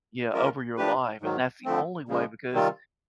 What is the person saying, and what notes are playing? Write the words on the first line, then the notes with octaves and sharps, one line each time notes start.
yeah, over your life, and that's the only way because,
F3 G#3 C#4 F4 A#4
F3 A3 D4 G4 B4
G#2 D#3 F#3
D3 F3 A3 C4
C#3 F3 G#3
C3 D#3 G3 C4 F4